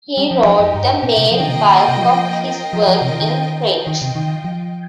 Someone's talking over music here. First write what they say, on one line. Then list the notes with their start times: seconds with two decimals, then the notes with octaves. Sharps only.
He wrote the main bulk of his work in French.
0.17 G3 D#4 G4 A#4
0.31 F3
0.45 F3
0.60 F2
0.75 G2
1.03 A#2
1.17 C3
1.31 F3 A#3 F4 D#5 G5
1.40 D#3
1.47 C3
1.56 D#3
1.88 C3
1.97 G3
2.02 F3
2.45 F4 A#4 D#5 G5
2.73 F3
2.87 F3
3.01 C3
3.11 D#3
3.21 D#3
3.58 F4 D#5 G5
3.87 D#3
4.02 C3
4.15 D#3
4.44 F3